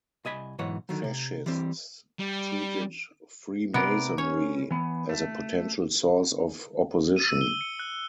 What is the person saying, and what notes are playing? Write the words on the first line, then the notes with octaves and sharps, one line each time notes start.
Fascists treated Freemasonry as a potential source of opposition.
C2 D#5 G#5 B5
B1 G#2 E3 C#5 F#5
D3 D#3 F#3
C3
E3 G3 C4
G3
C3 B3 A#4 D5
C#4 C#5
E3 B3
A3
D#7
E6
G7
C#7
F#6